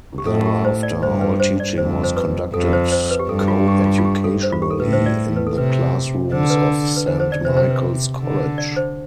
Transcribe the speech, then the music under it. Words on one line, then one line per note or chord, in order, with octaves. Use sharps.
Thereafter, all teaching was conducted coeducationally in the classrooms of Saint Michael's College.
G4
A2 A4
G4
C5
D5
G2 C5
B4
C5
D5
F2 C5
C5
B4
F2 A4
C5
C5
B4
G4
G2 A4
F4
G4
F4
F4
G4
A4
C5
F4
G4
A4
A2 B4
C5
D5
B4
A4
C3 B4
D3 C5
B4
B4
D3 C5
C5
D5
C3 C5
C5
B4
D3
D5
C5